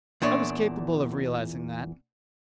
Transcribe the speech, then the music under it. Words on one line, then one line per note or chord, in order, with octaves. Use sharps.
I was capable of realising that.
E2 A#2 D4 C#5